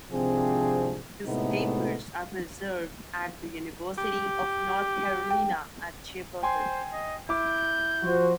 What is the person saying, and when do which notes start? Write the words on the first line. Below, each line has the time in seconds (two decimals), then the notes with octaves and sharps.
His papers are preserved at the University of North Carolina at Chapel Hill.
0.11 G#1 C3 F3 C4 D4 G#4
1.26 A2 C3 G#3 A3 B3 D#4
3.98 G4
5.30 G5
6.43 C5 G5 G#5 C6
6.93 D#5
7.29 E4 D6 G6
8.02 F3 F#4 C5